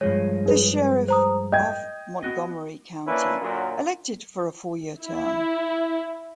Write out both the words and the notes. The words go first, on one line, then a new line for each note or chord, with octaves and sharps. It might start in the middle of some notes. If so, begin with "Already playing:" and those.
The sheriff of Montgomery County, elected for a four-year term.
G2 F3 G#3 C#5
G#4 B4
C5 A#5 D#6
D#5 G5 G6 G#6
B3 F#4 D#5
A#3 C#4 D4 E4 B4
F#2 A#2 D3 F#3
E4